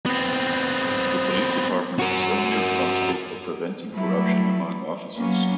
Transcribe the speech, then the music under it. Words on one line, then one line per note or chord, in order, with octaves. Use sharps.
The police department is only responsible for preventing corruption among officers.
B3 C4
F#4 A#4
F#3 G3 A3 E4
F#3 A#3 B3 C#4